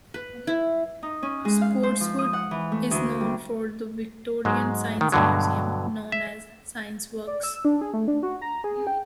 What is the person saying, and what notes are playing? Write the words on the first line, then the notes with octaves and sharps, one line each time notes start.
Spotswood is known for the Victorian Science Museum, known as Scienceworks.
B4
E4
D#4
C#4
G#3
F5
C5
F3
D#6
F#5
E3
A3
D2
G3
G#2 F#3 G#3
D#3
G2 B2 D3 F#3
E5
D5
E6
D4
G#4
A3
D4
F#4
A#5
G#4
G5